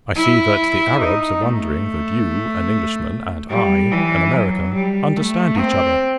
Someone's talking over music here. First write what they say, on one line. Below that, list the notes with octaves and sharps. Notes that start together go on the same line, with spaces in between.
I see that the Arabs are wondering that you, an Englishman, and I, an American, understand each other.
E4
D#4
A3
G3
E3
F#3
G3
A3
C4